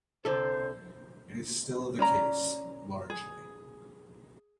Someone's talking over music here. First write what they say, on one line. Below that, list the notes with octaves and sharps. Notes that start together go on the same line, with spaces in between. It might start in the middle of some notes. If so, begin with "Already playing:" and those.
It is still the case, largely.
C2 D3 A4 C5
C#4 D5 A#5
G#4